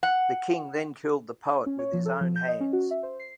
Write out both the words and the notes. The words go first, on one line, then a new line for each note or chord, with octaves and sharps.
The king then killed the poet with his own hands.
F#5
C#4
C#5
F3
A4
F3
G6
D#5
C#4
F#4
E5
C5
C7